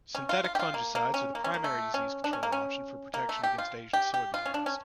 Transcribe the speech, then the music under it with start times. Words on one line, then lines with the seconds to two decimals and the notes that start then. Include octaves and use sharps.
Synthetic fungicides are the primary disease control option for protection against Asian soybean rust.
0.15 C#4
0.29 F4
0.44 F4
0.55 G4
0.59 F4
0.74 A#3
0.95 A#3
1.14 C#4
1.35 A#3
1.44 C#4
1.54 A#3
1.64 A3
1.94 C#4
2.24 D4
2.33 C#4
2.43 A#3
2.52 C#4
3.14 A#3
3.29 A3
3.43 G4
3.58 F4
3.93 G4
4.14 G4
4.34 F4
4.46 C#4
4.54 D4
4.66 C#4